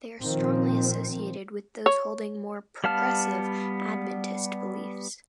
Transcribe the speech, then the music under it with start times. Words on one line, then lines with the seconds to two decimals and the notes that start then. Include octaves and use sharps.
They are strongly associated with those holding more "progressive" Adventist beliefs.
0.20 A#2 D#3 F3 C4
1.86 C#5
2.84 G3 B3 F5 A5 F6